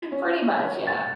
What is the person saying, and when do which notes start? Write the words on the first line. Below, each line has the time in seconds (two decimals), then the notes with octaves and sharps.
Pretty much, yeah.
0.12 C#4
0.87 C#6 A6